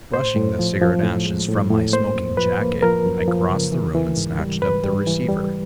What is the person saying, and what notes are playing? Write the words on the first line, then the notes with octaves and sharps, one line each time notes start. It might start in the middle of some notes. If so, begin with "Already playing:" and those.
Brushing the cigarette ashes from my smoking-jacket, I crossed the room and snatched up the receiver.
A2 C5
A2
F3
F3
A2
G#3
A2
A2
A#3 C5
F#2
F3 B4
A#3
F3 A#4
F#2
F3
C#3
E3
E3
G#2
G3
G#2 B4
G3
E3
G3